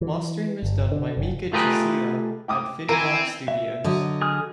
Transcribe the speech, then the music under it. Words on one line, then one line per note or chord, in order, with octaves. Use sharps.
Mastering was done by Mika Jussila at Finnvox Studios.
E3
G1
D3
F#1
A3 F4 G4 G#4 A#4 B4
G5 D6 D#6
E3 C4 E4 A#4 G#5
E5
D3 F#3 D#5
G#4 D#6 F6